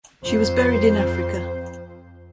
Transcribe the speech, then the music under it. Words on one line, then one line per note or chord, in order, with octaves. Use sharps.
She was buried in Africa.
F2 C5